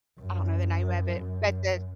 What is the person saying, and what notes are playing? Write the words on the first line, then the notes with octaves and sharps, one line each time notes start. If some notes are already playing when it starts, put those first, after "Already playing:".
I don't know the name of it, but the
F#2
F#2